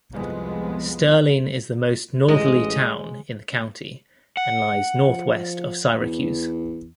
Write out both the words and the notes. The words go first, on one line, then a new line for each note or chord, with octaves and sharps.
Sterling is the most northerly town in the county and lies northwest of Syracuse.
C2 F2 G#3 B3
A1 G#3 D#5
F#5
F3
E2